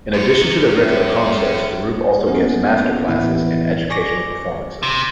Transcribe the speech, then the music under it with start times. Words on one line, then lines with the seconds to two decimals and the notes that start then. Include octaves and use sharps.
In addition to their regular concerts, the group also gives masterclasses and educational performances.
0.14 F#2 C#5
0.80 A2
2.27 A#3 B3 C#4 E4 A#4
3.08 A2 E3 B3 E4
3.90 D5 G#5 C#6 D6 A#6
4.83 C3